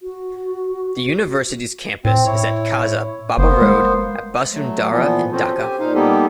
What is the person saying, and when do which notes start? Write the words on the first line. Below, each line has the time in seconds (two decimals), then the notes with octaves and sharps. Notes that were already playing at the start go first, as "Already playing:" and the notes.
The university's campus is at khaza baba road at Basundhara in Dhaka.
0.01 F#4
2.05 A2 C4
2.26 E4 C#5
3.38 F#1 A#3 B3 C5
3.62 G#3
4.52 F#3 A3
4.91 A#2 E3 F3 B3
5.32 C4 C#4 F4 F#4 A4 C5
5.56 G4 C5 G#5
5.80 A#2 D#4 C5 F5
5.94 G3 A#3 B3 D#4 G4 A4